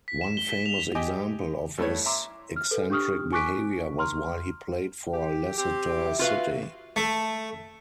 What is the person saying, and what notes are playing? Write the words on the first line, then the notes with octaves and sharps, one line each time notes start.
One famous example of his eccentric behaviour was while he played for Leicester City.
B6
E7
G7
B6
F7
G4 D#5 G5 G#5
G2 A3 E4 C#5
E5 A#5 C6 D6
F6
A4 B4
D4 G4 C#6 D#6 F6
G#5 C#6 D6 F#6 B6 D7
A#5 C6 F6
G4
C4 G4
F#3 E4
F4 F#4 B4 F5
A3